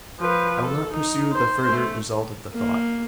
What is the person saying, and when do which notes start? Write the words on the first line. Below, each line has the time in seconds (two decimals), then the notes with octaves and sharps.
I will not pursue the further result of the thought.
0.19 F3 B4
0.63 A4
0.94 D#4
1.33 C5
1.67 A3
2.55 A#3